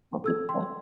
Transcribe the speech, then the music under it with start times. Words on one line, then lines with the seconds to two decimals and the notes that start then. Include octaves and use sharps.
Don't think so.
0.24 A4 E6 G#6
0.49 G5 C6